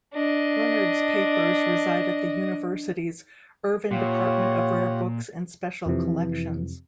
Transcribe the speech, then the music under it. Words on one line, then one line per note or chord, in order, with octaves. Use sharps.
Leonard's papers reside at the university's Irvin Department of Rare Books and Special Collections.
D4 D#5
A#2 F4 G4 C#5 F#5
F2 C3 E3